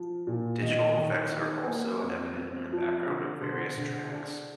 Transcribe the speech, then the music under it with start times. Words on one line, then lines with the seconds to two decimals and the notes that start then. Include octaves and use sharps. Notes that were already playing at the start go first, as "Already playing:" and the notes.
Digital effects are also evident in the background of various tracks.
Already playing: F3
0.27 A#2
0.62 D#3 D#5
0.97 D#3
1.32 D#4
1.67 A#3
2.02 F2
2.37 C4
2.71 F3
3.07 D3
3.41 D3 C5
3.77 D3
4.11 D4 G#4